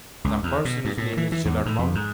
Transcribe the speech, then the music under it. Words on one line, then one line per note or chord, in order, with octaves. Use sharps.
"Some person whose name is Gillenormand?"
C#2
E2
B2
G2
A2
E3
E3
E2
A2
F2
G#2